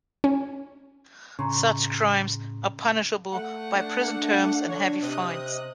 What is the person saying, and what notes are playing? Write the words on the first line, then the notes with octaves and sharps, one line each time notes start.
Such crimes are punishable by prison terms and heavy fines.
C#4
A2 C#3 A#5 C6 C#6
A3 F#5
D4
D3 C#5
C3 D#5 D#6 F#6